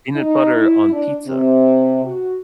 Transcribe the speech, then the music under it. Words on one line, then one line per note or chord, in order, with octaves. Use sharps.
Peanut butter on pizza?
D#4
E4
D4
C3
F#4